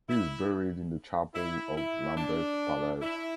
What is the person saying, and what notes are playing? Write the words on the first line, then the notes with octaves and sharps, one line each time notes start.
He is buried in the chapel of Lambeth Palace.
E4
E4
E4
D4
E4